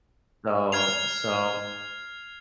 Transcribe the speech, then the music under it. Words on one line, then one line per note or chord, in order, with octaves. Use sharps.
So so
F6 G#6 C7 F7